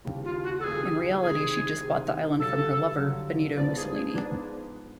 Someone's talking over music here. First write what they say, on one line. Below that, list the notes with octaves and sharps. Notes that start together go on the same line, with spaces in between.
In reality, she just bought the island from her lover, Benito Mussolini.
D#2 C#3 E3 G3
F4
F#4
A4
D#2 C#3 E3 G3 G#4
C3 D#3 G#3 G#4
C3 D#3 G#3
G2 D3 F#3 A4
G2 D3 F#3
G#2 F3 G#3 B3 D5
G#4
G#4
G#2 F3 G#3 B3 D4